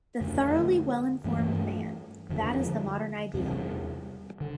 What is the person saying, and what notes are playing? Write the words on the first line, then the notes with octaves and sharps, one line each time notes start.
The thoroughly well-informed man — that is the modern ideal.
F2 D3 A3
G2 E3 A3
F2 D3 F3
E2 C3 G3
D3